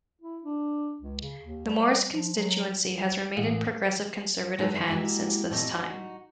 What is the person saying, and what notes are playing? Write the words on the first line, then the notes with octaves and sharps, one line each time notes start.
The Morris constituency has remained in Progressive Conservative hands since this time.
E4
D4
C#2
C#3
D#2
G3
F3
F#3
A1
G#3 D#4 E4 A4 B4 C5
D#3 E4 G4 B4 E5
G#3 A#3 E4 F#4 G4
A#2 A3 C4 G4 D#5
D#4 F#4